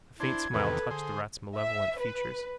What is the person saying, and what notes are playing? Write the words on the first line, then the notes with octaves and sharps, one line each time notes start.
A faint smile touched the Rat's malevolent features.
D4 E4 C5 G#6
E2 C3 D#3 A4 B4
D3 G#4 C5
E5
B4